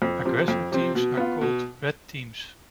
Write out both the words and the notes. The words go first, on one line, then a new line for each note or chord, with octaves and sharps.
Aggressor teams are called "red" teams.
F2
C3 F3 C4
F2
C3 F3 C4
B2
B3 F4
B2